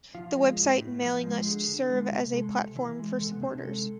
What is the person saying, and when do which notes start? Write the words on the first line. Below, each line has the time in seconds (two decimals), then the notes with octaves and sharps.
The website and mailing list serve as a platform for supporters.
0.15 F3 F4
0.37 G#3
0.58 A2
0.81 A2
1.02 F3
1.24 G#3
1.46 D3 G#4
1.68 D3
1.89 G#3
2.11 C3
2.33 G#3 A4
2.54 C3
2.76 E3
2.99 G#3
3.20 C3 A4
3.32 B3
3.42 C3 C4
3.53 D4
3.64 G#3 A4